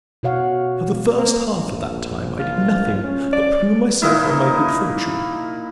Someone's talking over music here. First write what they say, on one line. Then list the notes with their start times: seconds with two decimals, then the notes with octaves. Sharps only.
For the first half of that time I did nothing but plume myself on my good fortune.
0.23 B2 F#4 C#5 F5 F#5
1.16 A#3
1.58 A#1
2.40 F4
3.04 C#4
3.33 D5
4.02 A#2 A#3 D#4 E4